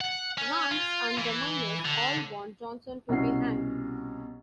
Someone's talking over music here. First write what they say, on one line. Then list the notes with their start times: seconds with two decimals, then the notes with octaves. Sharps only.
Rance and the miners all want Johnson to be hanged.
0.01 F#5
0.38 C#4
0.71 F4
1.17 E3
1.85 D3
3.09 C2 B2 C#4 F#4 C7